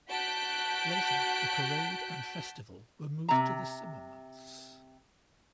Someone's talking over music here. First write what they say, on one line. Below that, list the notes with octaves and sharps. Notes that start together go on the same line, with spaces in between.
Later, the parade and festival were moved to the summer months.
F#4 A5 F#6 G6 B6 D7
C3 A#5